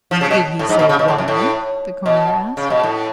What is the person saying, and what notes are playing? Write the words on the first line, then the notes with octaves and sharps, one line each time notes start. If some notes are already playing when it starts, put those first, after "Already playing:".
"Did he say why?" the coroner asked.
F3
C#3
B2
A2
G#2
B2
C#3
B2
A2
F#2
A2
B2
C#3
B2
A2